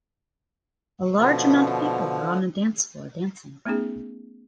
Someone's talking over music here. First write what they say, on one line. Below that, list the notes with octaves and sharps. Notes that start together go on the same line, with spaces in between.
A large amount of people are on a dance floor dancing.
B2 D3 F3
A3 B3 C#4 D#4 G#4